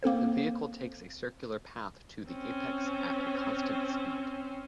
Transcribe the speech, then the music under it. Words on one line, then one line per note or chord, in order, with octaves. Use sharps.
The vehicle takes a circular path to the apex at a constant speed.
A#3 C4 A4 C5
C4 C#4